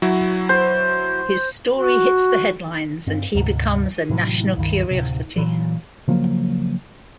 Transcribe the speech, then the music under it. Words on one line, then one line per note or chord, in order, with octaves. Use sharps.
His story hits the headlines, and he becomes a national curiosity.
F#3 E4 F#4
C5
F#4
G2 C4
D2 G#2 C3
A2 C3 E3 F#3
C#2 G2 D#3
D1 B1 C3
A#2 E3 F#3
C#3 F3 F#3 A#3